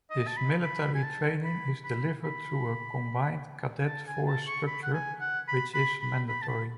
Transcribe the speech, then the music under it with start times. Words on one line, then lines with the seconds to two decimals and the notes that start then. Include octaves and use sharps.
This military training is delivered through a Combined Cadet Force structure which is mandatory.
0.10 D#5
0.27 A5
0.37 B5
0.64 B5
0.95 G#5
1.03 A5
1.44 B5
1.85 B5
2.24 B5
3.87 A5
4.07 G#5
4.27 A5
4.47 C#6
4.67 B5
4.83 F#5
4.94 G#5
5.21 F#5
5.48 B5
5.74 B5
6.02 B5
6.29 B5
6.42 A5
6.49 B5